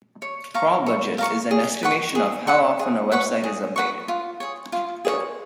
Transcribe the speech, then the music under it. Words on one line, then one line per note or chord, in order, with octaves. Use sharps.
Crawl budget is an estimation of how often a website is updated.
C#5
F5 A#5 C#6
C#5
F5 A#5 C#6
G#4
B4 F#5 C#6
G#4
B4 F#5 C#6
G#4
B4 F#5 C#6
G#4
B4 F#5 C#6
F4
G#4 C#5
F4
G#4 C#5